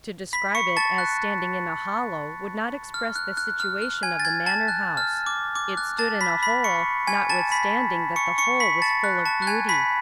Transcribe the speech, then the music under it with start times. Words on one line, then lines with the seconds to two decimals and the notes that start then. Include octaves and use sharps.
To describe it as standing in a hollow would not express the situation of the manor-house; it stood in a hole, notwithstanding that the hole was full of beauty.
0.33 B5 B6
0.55 C#6 C#7
0.77 A5 A6
0.98 F#6
2.94 F6
3.15 F#6
3.37 F#6
3.60 F6
3.82 F#6
4.03 G#5 G#6
4.20 A6
4.25 G#5 G#6
4.46 A5 A6
4.68 F#6
4.97 F6
5.26 D6
5.55 D6
5.77 F#6
5.98 A5 A6
6.21 B5 B6
6.43 B5 B6
6.64 C#6 C#7
7.07 G#5 G#6
7.29 A5 A6
7.52 B5 B6
8.16 C#6 C#7
8.38 C#6 C#7
8.60 B5 B6
8.82 A5 A6
9.04 F#6
9.25 A5
9.42 F#6
9.47 G#5 G#6
9.69 B5 B6